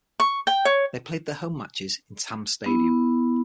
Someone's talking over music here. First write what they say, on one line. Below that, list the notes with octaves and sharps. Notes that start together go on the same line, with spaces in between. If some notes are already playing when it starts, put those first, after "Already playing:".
They played their home matches in Tamme Stadium.
C#6
G5
C#5
B3 E4